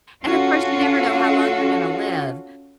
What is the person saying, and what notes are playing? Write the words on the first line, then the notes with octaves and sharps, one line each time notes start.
And, of course, you never know how long you're gonna live,
C#4 F4 F#4 A4